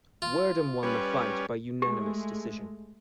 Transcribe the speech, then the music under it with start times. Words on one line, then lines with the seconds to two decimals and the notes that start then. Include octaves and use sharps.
Werdum won the fight by unanimous decision.
0.22 F4
0.83 G3 C#4 B4
1.82 G#3 A3 G4